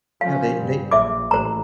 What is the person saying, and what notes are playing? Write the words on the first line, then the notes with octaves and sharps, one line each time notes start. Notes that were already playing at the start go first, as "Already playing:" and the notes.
You know, they they
F3 C#4 F5
G2
A#1 E5 D6
A1 C5 A#5